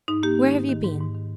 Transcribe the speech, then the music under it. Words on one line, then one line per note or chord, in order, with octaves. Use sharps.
Where have you been?'
G#2 D#4
A#3 G4
D#3
G#2
D#3
G#2
G#2
D#3